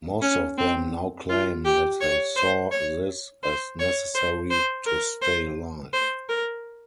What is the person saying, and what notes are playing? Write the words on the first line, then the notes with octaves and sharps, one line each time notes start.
Most of them now claim that they saw this as necessary to stay alive.
C#4
C4
F4
G4
C#5
C5
C#5
C5
C#5
C5
C5
A#4
C5
C5
A#4